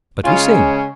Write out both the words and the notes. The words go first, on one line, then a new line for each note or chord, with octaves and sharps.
But we sing.
C#3 G#3 C#4 F4